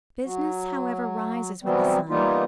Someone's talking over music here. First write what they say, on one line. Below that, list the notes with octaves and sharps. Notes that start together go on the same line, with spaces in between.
Business, however, rises with the sun.
F#3
C3 E3 F#3 G3 B3 C4
E3 G3 A#3 B3 D#4 F4